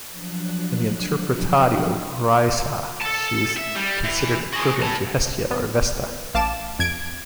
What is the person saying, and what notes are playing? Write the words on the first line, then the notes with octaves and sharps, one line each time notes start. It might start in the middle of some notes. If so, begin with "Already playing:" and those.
In the "interpretatio graeca", she was considered equivalent to Hestia or Vesta.
F3 F#3 D4 F#6
A4 A5
E5
G3
E3
F#4 G#4
E4 A5
B3
A1 F5 A5 D6 E7
F2 G#6 D7